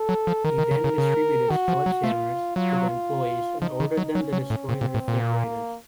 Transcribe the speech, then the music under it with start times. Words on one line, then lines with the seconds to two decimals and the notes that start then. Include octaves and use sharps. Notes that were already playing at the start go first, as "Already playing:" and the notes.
He then distributed sledgehammers to the employees and ordered them to destroy the refrigerators.
Already playing: A4
0.09 F#3
0.27 F3
0.45 D#3 A#4
0.58 D#3
0.71 C#3
0.84 C#3
0.98 C#3
1.51 D#3 F#4
1.68 F3
1.86 F#3
2.04 A3 F4
2.56 F#3 F4
3.62 F3 D#4
3.80 D#3
3.97 F#3
4.15 F#3 C#4
4.33 F#3
4.50 A2
4.69 A#2 C4
4.81 A#2
4.94 A2
5.08 A#2
5.21 A#3